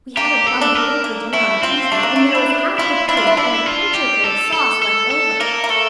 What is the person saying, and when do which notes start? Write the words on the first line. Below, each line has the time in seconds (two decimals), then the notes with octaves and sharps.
We had a plum pudding for dinner on Tuesday and there was half the pudding and a pitcherful of sauce left over.
0.17 A#3 G4
0.47 A4
0.61 D4
0.75 A#4
1.04 A#3
1.33 A3 E4
1.62 C4 F4
1.92 A3 D4
2.03 A#3
2.16 A3
2.35 E4
2.78 E4 F4
3.09 D4 E4
3.17 F4
3.27 E4
3.37 D4 E4
3.66 F4
3.95 G4
4.24 A4
4.53 A4
4.82 A4
5.11 A4
5.41 A#3 A#4
5.64 A#3
5.69 A3 A4